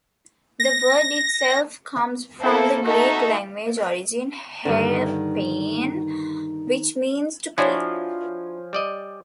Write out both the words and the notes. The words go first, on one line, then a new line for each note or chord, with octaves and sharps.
The word itself comes from the Greek language origin "herpien," which means "to creep".
A#6
A#3 C4 E4 A4 C5
D#4 F#4 A4 D#5 E5
G2 D3 D#3
F3 D4 E4 F#4 C#5 G#5
G3 D5 D#5